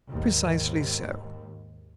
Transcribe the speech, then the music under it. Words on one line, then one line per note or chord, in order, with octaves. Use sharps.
"Precisely so."
D#2 G#2